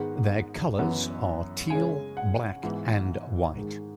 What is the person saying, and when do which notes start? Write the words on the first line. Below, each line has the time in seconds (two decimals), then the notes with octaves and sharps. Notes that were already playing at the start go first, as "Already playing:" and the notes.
Their colours are teal, black and white.
Already playing: G#2 D#3 G#3 B3 F#5
0.79 F#2 E3 B3
1.70 C#3 G#3 C#4 G#5
2.17 F#5
2.63 G#2 E3 B3
3.55 G#2 D#3 G#3